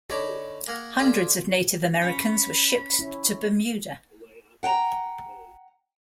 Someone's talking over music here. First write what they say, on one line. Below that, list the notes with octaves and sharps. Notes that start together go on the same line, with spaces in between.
Hundreds of Native Americans were shipped to Bermuda.
D3 D#4 C#5 A5 B5 D6
A#3 G#4 A#4 F#5
D3 F4 G4 G#4 C5
C#4 B5
C#4 E4
F#5 G5 A5 A#5